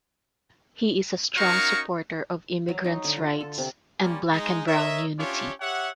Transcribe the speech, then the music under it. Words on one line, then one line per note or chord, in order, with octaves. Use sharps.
He is a strong supporter of immigrants rights, and black and brown unity.
C#4 D#4 F#4 A#4 F5 C#6
F#3
D#4
D3
F4
A4
C3
G3 A#3 C#4 F4
G#3 D#4
A#4 C#5 D#5 E5
C#4 D4 E4 F4 G4 C#5
G4 C#5 E5 F#5